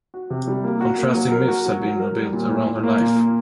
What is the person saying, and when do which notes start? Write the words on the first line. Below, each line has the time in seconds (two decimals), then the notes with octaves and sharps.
Contrasting myths have been built around her life.
0.14 F#4
0.30 C3
0.47 G3
0.64 A#3
0.81 F#4
0.98 A#3
1.15 F#3
1.31 A#4
1.48 F#4
1.66 F#3
1.82 F#3
1.99 A#4
2.16 G3
2.33 A#2
2.49 A#2
2.67 A#2
2.84 A#3
3.00 A#2